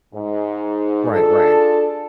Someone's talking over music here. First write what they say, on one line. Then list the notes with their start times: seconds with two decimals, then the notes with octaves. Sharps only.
Right, right.
0.14 G#2
1.12 D4 F4 G#4 A4